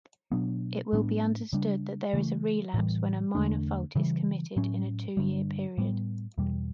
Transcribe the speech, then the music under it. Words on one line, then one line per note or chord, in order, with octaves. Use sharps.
It will be understood that there is relapse when a minor fault is committed in a two-year period.
B2 F#3 B3 D4
A2 G3 B3 D4
C#3 G3 D4
C#3 E3 A3
A2 E3 G3
E2 D3 A3 D4
C#3 E3 G3
A2 F#3 C#4
G2 D3 G3
A2 G3 B3
E2 B2 G3